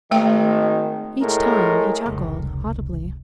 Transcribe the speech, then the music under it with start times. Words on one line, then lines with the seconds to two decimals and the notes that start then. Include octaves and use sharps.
Each time he chuckled audibly.
0.11 G#1 D#3 A3 G5
1.21 A2 G#3 A#4
2.06 F1 C#2